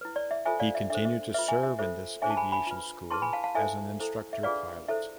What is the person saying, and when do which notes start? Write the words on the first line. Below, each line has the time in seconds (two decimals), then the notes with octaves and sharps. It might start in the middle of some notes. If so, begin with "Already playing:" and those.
He continued to serve in this aviation school as an instructor pilot.
0.01 E4 B4
0.16 D5
0.31 E5
0.46 F4 A4 C5 E5 G#5
0.60 D5 F5
0.75 E5
0.90 D4 A4 C5 E5
1.05 E5
1.34 F4 B4 E5
1.48 E5 G#5
1.63 E5
1.79 F4 A4 C5 E5
2.22 D4 G#4 C5 E5 G#5
2.30 A5
2.37 G#5 B5
2.52 G#5 B5
2.67 F4 B4
3.11 E4 G#4 B4 A5 C6
3.22 G#5 B5
3.33 F5 A5
3.44 F5 A5
3.55 E4 A4 C5 E5 G#5
4.00 E4 A4 C5
4.33 E5
4.43 D4 F4 G#4 B4 D5 F5
4.88 E4 A4 C5 E5